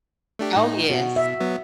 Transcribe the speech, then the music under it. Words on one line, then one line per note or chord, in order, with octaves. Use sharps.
Oh, yes.
A3 D4 G4
A2 D#4
B2 F#4
E5
F#3 B3